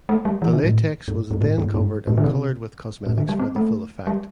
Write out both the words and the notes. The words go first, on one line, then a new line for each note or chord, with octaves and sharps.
The latex was then covered and coloured with cosmetics for the full effect.
A3
G3
E3
D3
A2
G2
G2
A2
G2
G2
A2
D3
C3
A2
D3
G3
C4
A3
G3